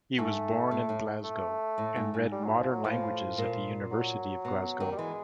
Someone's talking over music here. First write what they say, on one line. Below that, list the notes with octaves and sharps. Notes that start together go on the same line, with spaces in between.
He was born in Glasgow, and read Modern Languages at the University of Glasgow.
G#2 A3
A2
A2
A3
A2
G#2
G#2
G3
F#3
F3
F#3
A2 F3
A#2
F#3
B2
D#3
G3
E3 G#3